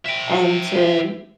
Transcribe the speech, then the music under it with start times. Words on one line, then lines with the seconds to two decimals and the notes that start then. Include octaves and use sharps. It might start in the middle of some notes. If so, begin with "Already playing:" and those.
and to
0.05 E5 G5